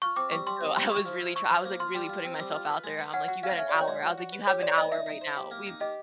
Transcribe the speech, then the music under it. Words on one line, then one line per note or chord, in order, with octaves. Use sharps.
And so I was really try I was, like, really putting myself out there. I'm, like, "You got an hour." I was, like, "You have an hour right now." We've
F4 C#6
C4 D6
G3 C#6
G3 C6
C4
G3
E4 C#6
F3
E4
E4 C#6
F3
A#3
F4 C6
G3
F4
C4
G3
F4
B4
G#3
B4
C#4 F#5
F#4 F#5
C#4 F5
C#4 E5
F#4 D5
C#5
G#3
F#4
F#4
B4
G4 C#5
C5 D5
D#4 D#5
D#4 E5
D#4
C5
G4
A#3
D#4
G4 D#5